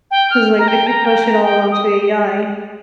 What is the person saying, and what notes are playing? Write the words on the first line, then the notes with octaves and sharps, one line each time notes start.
'cause like if you push it all onto AI
G5
F6
A#5
G5
A#5
G5
A#5
G5
D#6